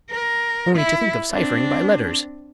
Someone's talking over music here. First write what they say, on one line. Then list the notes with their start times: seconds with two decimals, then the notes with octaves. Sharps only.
Only to think of cyphering by letters!
0.10 A#4
0.75 E4
1.31 C4 D4